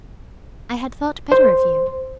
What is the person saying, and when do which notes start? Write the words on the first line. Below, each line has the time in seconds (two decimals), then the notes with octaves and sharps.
"I had thought better of you."
1.32 C5